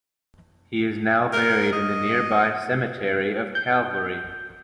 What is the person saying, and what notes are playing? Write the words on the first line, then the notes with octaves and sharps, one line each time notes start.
He now is buried in the nearby cemetery of Calvary.
A#4
D#5
G6